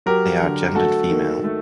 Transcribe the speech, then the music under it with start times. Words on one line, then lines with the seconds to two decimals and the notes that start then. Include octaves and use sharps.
They are gendered female.
0.06 F#3 G4 A#4
0.41 D3
0.74 A3 F#4 A4
1.09 D#3
1.44 A3